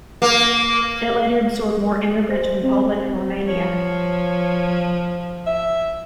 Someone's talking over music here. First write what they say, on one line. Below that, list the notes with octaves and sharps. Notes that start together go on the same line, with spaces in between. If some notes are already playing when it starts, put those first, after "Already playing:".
It later absorbed more immigrants from Poland and Romania.
A#3
C5
C4
F3 C#5
E5